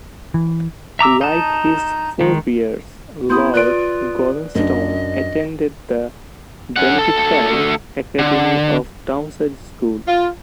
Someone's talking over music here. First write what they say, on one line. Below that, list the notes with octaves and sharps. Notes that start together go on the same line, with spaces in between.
Like his forebears, Lord Gormanston attended the Benedictine academy of Downside School.
E3
E5 A#5 D6 E6
D#4 A5
D#3 G#3
B3 E4 C6 D#6 G6
F4 B4 D5 F#6 D7
F#2 D4 D#5
C#4 F#5
D2 A4
D3
F4